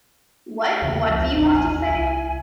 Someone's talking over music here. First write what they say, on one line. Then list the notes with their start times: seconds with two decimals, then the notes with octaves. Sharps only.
What? What do you want to say?...
0.82 E2 C#3
1.09 C#2 F3
1.35 A1 D#2
1.55 G#5
1.90 C2